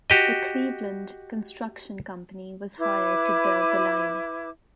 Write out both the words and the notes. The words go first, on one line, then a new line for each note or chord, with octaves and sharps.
The Cleveland Construction Company was hired to build the line.
F#4 G4 D#5
E4 B4 D6